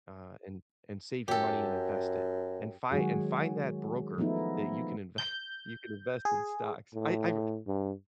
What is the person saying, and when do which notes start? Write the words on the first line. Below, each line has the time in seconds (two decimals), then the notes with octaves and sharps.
uh, and and save your money and invest it, and fi and find that broker that you can inve you can invest in stocks." I I
1.28 F#2 G4 A4
2.91 D#3 F#3 G#3 F#4 G#4
4.18 F3 A3 B3 D#4 E4
5.18 G6
6.25 G#4
6.94 A2
7.67 G2